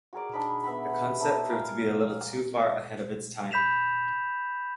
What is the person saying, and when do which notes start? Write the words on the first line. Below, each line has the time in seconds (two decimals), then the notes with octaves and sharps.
The concept proved to be a little too far ahead of its time.
0.13 F#4 G#4 A#4 D5
0.33 D4 D#4 B5
0.63 B3 E5 F#5 B5
1.19 G3 A3 D#4 A4
1.49 A#4 D5 F5 G#5
3.51 B5 G6 B6 E7 F7